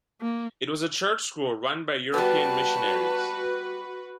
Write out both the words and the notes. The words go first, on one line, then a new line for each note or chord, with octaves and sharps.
It was a church school run by European missionaries.
A#3
G3 B3 F#4 B4 A5